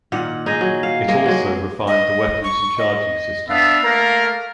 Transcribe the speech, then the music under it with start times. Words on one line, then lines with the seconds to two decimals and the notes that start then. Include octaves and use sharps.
It also refined the weapons and charging system.
0.12 A#2 D#3 F#5
0.46 D#4 G#4 D#5
0.61 F#3
0.83 F5
1.08 G#3 A#3
1.26 F#3 G#3
1.87 D#5
2.44 C#6
2.78 D#5
3.49 B3 D4 E5 F5
3.84 A3 A#3 A#4